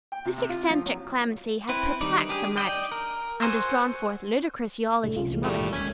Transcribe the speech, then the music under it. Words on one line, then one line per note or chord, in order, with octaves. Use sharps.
This eccentric clemency has perplexed some writers, and has drawn forth ludicrous eulogies from others.
G5
C3
C3
F4
F3
F#3
C4 E4 B4
D#3 G3 D#4 D5
D4 G4 G#4
D5 D#5 G5
A#4
F#4 C5 G#5 C6 E6
C2 A2 D3 A3
C2 F#3 C4 C#4 F4
B1 E3 G#3
A#2 G3 A3
E2 G2 D#3
D#2 G#3 C#4 G#5 B6